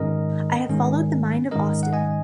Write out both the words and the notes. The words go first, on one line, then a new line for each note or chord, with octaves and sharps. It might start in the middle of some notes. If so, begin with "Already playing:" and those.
I have followed the mind of Austin.
Already playing: G#2 D#3 G#3 C#4 A#4 D#5
G#2 D#3 G#3 C#4
G#2 D#3 G#3 C#4 A#4 D#5
F#5
D#5 G#5